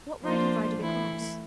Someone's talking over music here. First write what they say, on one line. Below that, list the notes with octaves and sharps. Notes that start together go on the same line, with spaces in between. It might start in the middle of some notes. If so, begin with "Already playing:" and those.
"What right have I to be cross?"
F3 A#3 D4 F4 C5
E3 A3 E4